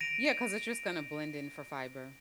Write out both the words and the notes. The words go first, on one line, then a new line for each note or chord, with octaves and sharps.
Yeah, 'cause it's just gonna blend in for fiber.
A#6 D7 D#7 F7